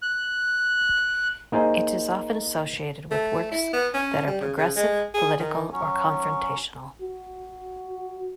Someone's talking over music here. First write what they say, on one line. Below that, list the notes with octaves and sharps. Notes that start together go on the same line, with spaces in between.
It is often associated with works that are progressive, political, or confrontational.
F#6
A#3 D#4 G#4 C5
A3
E4
B3
C#4
G3
C#3
C#3
G#3
G#4
D#3
F#3 C#4
F#4